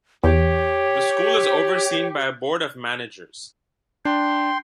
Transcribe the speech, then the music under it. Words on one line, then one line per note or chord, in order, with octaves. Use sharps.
The school is overseen by a Board of Managers.
E2 G4 C#5
D4 G5 C6